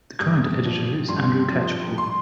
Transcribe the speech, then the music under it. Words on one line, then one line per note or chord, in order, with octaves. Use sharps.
The current editor is Andrew Catchpole.
G2 D#6
D6
D#6
F3
G2 C6
F3
C6